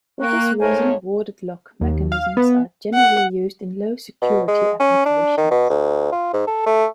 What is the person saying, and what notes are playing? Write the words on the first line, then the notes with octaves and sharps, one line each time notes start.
For this reason warded lock mechanisms are generally used in low security applications.
A#3 G5 C#6 F#6
G#2 A3 A#4 C5 C#5 G#5
D#2
F5
B3
F#5
B2
G#3
C#4
D4
D#3
B2
D2
F4
G#2
A4
A3